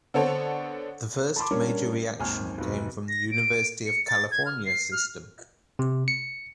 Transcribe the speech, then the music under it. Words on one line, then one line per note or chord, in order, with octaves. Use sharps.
The first major reaction came from the University of California system.
D3 B3 C4 A4 C#5
A5 B5 C6 D6
G3 A#3 C#4 D4 A#4 C#5
G#1 D#2 G#5 F6
F1 B1
A#6
D7
C#7
A6
G#6
F6
C7
F6
C3
C#7